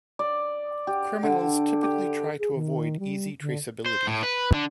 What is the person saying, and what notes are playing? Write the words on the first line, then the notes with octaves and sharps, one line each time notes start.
Criminals typically try to avoid easy traceability.
D5
G4
D3
G4
G#4
D#3
G3
D3
C5
A2
B4
D3